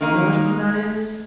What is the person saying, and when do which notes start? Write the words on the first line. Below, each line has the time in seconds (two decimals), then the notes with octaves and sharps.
You know which one that is?
0.01 D#3 A#3 D#4